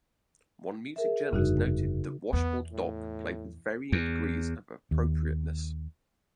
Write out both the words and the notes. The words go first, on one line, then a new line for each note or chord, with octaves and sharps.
One music journalist noted that Washboard Doc "played with varying degrees of appropriateness".
G#4 A#4 E5
F1 G2 C#3 D#4 F#4
E2 B3
A2
E2
D#2